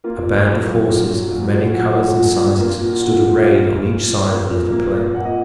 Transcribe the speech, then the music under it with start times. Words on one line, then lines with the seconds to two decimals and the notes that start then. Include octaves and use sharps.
A band of horses of many colors and sizes stood arrayed on each side of the little plain.
0.04 A#3 F4
0.25 A#2
0.46 F#3
0.67 A#2
0.89 A#2
1.10 F#3
1.31 A#2
1.53 F#3
1.74 A#2 F#4
1.95 A#2
2.17 A#2
2.38 A#2
2.59 A#3 F4
2.80 A#2
2.93 F4
3.02 A#2 F#4
3.23 A#2
3.44 A#2 F5
3.65 A#2
3.87 A#2
4.08 F3
4.29 A#3
4.50 A#2
4.72 A#3
4.93 A#3
5.14 A#2 F#5
5.25 D#5